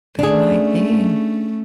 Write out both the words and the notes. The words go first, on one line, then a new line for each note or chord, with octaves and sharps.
They might be.
A3 C#4 D4 G#4